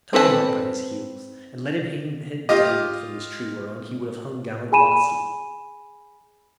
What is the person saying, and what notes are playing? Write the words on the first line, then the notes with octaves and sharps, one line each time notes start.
Tie him up by his heels, and let him hang head downward from this tree whereon he would have hung gallant Locksley.
C4 A4 B4 F5 A5
F4 G4 D#5
G#4 G#5 B5 D#7 E7